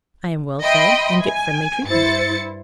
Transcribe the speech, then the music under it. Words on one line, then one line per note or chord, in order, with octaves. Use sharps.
I am well fed, and get friendly treatment.
D#5 E5 G5 B5 C6
G#5
G2 E4 C5 A6 C#7